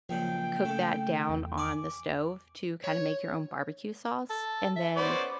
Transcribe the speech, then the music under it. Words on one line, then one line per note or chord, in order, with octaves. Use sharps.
cook that down on the stove to kinda make your own barbecue sauce, and then
C#2 A#2 F3 F#3 G5
C#3 A3 A4
E2
D5 G#5 D6
C#5
A4
E5
B3 C#4 C5 D5